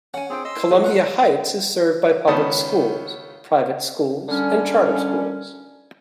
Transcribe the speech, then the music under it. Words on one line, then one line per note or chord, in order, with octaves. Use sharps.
Columbia Heights is served by public schools, private schools, and charter schools.
C#4 F#5 G#5
C4 D4 F4 G#4 G5
D#5 C6 E6
E4
F3 F#3 G#4 B4
F4 A#4 F#5
C#2 D#3 B3 C#4 A5 D#6
D3 G3 C#4